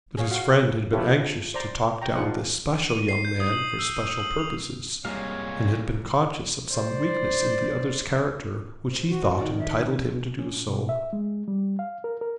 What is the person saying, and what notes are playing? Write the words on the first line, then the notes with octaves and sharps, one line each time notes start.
But his friend had been anxious to talk down this special young man for special purposes, and had been conscious of some weakness in the other's character which he thought entitled him to do so.
G#4 C#5 F5
F#4 F5
E4 F4 G4 A4 B4 C#5
C5 D5 A#5
G5 A#5
D4 D#4 F4 G#4 C5 F#5
D#7
C7
G6
D#6
F#7
E6
D#7
F#7
F7
C2 A#2 G#3 C#5 F5
C5 D5
C5
F#4
D#3 D5 A5
E5
C#4
B2
E5
G#3
G3
F5
A#4
A#4